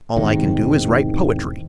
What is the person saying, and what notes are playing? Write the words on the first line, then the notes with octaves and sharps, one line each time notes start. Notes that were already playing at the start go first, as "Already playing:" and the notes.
All I can do is write poetry.
E1 G#2 C3 D#3